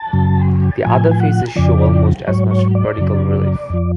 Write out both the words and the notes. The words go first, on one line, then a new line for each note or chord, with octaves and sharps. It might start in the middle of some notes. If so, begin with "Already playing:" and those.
The other faces show almost as much vertical relief.
Already playing: A5
F#2 C#3 F#3
A2 F3 G#5
G#5
F#5
F2 C#3 F3 D5
G#2 F#3 C#5
C#5
D5
F#2 C#3 F#3
F2 F3